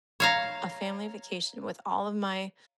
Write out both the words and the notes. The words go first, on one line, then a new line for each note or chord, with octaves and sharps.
a family vacation with all of my
C#5 F5 A#5